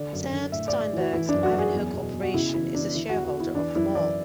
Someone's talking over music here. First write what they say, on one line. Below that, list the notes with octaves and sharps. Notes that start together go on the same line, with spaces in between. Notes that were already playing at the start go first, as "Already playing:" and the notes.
Sam Steinberg's Ivanhoe Corporation is a shareholder of the mall.
Already playing: D3 D5
F#2
D3
A2 E5
A2 D5
E3 F#4
E3 E4
F#2 D4
F#4
F#2
G#4
E2
B2
B2
F#4
C#3 E4
E3 E4
E3 D4
D3 E4
E2 F#4
F#4
E2
E4
E3 D4
F#2 E4
E3 D5